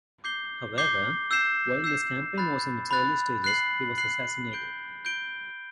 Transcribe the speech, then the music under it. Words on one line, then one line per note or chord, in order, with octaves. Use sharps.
However, while this campaign was in its early stages, he was assassinated.
D6 G6 C7 G7
D6 G6 C7 G7
E6 G6 C7 E7
E6 G6 C7 E7
B5 F#6 A6
B5 F#6 A6
F#6 C7 F#7
F#6 C7 F#7
G6 D7 G7
G6 D7 G7